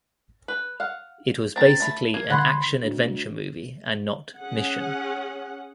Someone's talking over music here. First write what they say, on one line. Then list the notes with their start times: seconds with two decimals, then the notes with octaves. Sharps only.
It was basically an action-adventure movie and not "Mission".
0.48 B4
0.80 F5 F#5
1.56 C4 A#5 A6
1.80 A3 B5
2.14 A#3 G#6
2.30 D3 F#5 B5 C6
2.83 D2
4.38 C#4 G#4 F#5